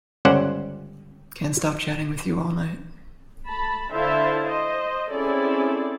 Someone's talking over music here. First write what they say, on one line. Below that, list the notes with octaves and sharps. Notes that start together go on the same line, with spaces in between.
Can't stop chatting with you all night.
G1 C#2 C#4 C5 D5 F#5
A3 A5 B5
D3 E4 C5 E5 F5 A5
C5 D#5
C4 C#4 E4 G#4 A4 D5